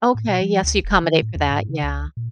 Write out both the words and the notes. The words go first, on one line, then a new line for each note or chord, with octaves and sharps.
Okay, yes, you accommodate for that, yeah.
A2
B2
F3
D2
E1
D#3
A2
E2
G#2
C#3
C#2
A#2